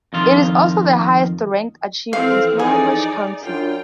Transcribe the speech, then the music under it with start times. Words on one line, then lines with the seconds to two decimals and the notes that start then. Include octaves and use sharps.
It is also the highest rank achieved in Snohomish County.
0.13 F2 D#3 F4
2.13 E3 F3 C4 A4 F5
2.59 D#4 G#4 D5
3.42 F#2 D4 F4 G5